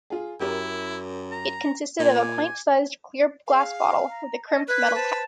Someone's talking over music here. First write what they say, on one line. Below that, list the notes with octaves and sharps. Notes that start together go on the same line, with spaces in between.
It consisted of a pint-sized clear glass bottle with a crimped metal cap.
F4 G#4
F#2 E4 G4 A#4
A#5
A#2 G#5
D6
G#4 F5
A#5
D#5 A5
B4 F#6 G#6
C5 A5